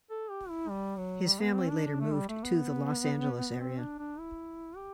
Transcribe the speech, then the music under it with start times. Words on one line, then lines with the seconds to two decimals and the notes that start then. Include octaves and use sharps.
His family later moved to the Los Angeles area.
0.10 A4
0.30 G4
0.50 E4
0.69 G3
0.98 F#3
1.27 G3
1.41 B3
1.56 C4
1.70 D4
1.85 D4
2.00 A3
2.14 G3
2.29 A3
2.43 B3
3.60 C4
3.79 D4
3.99 D4
4.19 E4
4.77 G4